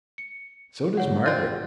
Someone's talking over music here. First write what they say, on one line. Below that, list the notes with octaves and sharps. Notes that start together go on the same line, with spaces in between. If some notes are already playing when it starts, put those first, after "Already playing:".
So does Margaret.
C#7
G#2 D3 C#5 F#5
C4 F4 C5 D5 G6